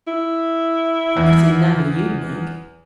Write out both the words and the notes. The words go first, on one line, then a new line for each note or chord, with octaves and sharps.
'A pretty navvy you'd make!
E4
E2